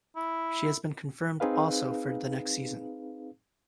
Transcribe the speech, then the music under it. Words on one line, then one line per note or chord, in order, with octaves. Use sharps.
She has been confirmed also for the next season.
E4
C4 D#4 G#4 B4 F5